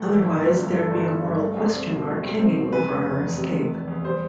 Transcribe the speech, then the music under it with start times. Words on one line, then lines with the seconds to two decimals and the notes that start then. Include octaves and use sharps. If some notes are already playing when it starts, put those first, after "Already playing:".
Otherwise there'd be a moral question mark hanging over our escape.
Already playing: A2 A4
0.09 E3
0.26 G1
0.42 G1
0.58 G2
0.75 E3 A4
0.91 G1
1.07 G1
1.24 G2
1.40 A3
1.56 C2
1.74 C4
1.90 B2
2.07 A3
2.23 C2
2.39 C4
2.56 B2
2.72 C3 B4
2.89 F1
3.06 F1
3.22 E2
3.38 C3
3.55 F1
3.72 F1
3.88 E2
4.05 G3 C5